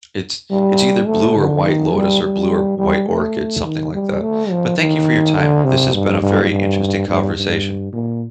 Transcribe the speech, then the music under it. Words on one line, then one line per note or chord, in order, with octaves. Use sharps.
It's it's either blue or white lotus or blue or white orchid, something like that. But thank you for your time. This has been a very interesting conversation.
G3
A3
D3
D#3
G3
G3
G3
A3
D#3
G3
A3
F3
D#3
D3
C3
G2
G2
G2
G2
G2
A#2